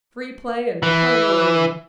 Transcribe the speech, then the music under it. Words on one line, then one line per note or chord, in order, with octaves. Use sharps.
"Free play and plenty of room."
E3